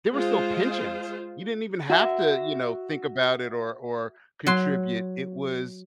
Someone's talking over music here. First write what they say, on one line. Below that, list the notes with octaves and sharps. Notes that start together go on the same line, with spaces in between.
there were still pensions. You didn't even have to, you know, think about it or or contribute. It was,
G#3 F4 C5
F#4 E5
F#3 C6